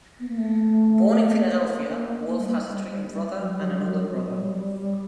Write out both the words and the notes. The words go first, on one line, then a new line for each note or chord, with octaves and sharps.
Born in Philadelphia, Wolfe has a twin brother and an older brother.
B3
A#3
A3
A#3
G3
F#3
G3
F#3
G3
F#3
G3
F#3
G3